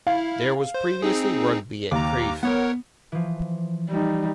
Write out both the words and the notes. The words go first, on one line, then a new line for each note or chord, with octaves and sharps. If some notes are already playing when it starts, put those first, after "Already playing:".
There was previously rugby at Crieff.
E4 F5
C5
C4 D#4 G#4
D#2 A#5 D6
B3 A#4 C#5 F#5
E3 F3
G3 D#4